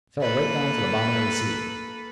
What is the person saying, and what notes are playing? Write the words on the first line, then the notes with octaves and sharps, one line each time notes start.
It fell right down to the bottom of the sea.
A#3 A4 B4